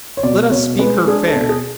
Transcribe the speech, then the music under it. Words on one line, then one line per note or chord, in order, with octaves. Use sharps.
Let us speak her fair.
C#5
B2 D5
B2 C#5
G#3 B4
D4 G#4
A4
B2
A4
G#4